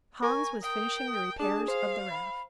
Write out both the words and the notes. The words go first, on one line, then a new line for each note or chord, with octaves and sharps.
Hans was finishing the repairs of the raft.
A#4 G#5 C#6
G5 D#6
D#6
D4 G#4 A5
C5 F5
B5